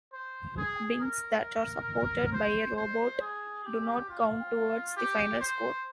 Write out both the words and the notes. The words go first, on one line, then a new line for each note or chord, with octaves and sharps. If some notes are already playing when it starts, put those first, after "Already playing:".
Bins that are supported by a robot do not count towards the final score.
C5
G#4
A#4
C5
C5
G#4
G4
F4
G4
C5